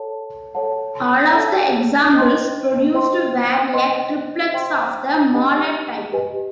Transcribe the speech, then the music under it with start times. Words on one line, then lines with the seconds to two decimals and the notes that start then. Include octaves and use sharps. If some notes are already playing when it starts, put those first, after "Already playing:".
All of the examples produced were a Triplex of the Mallet type.
Already playing: A4 C#5 F#5 A5
0.55 A4 C#5 F#5 A5
1.35 A4 C#5 F#5 A5
2.13 C5 D#5 G5 C6
2.94 C5 D#5 G5 C6
3.73 C5 D#5 G5 C6
4.53 C5 D#5 G5 C6
5.34 G4 B4 D#5 G#5
6.13 G4 B4 D#5 G#5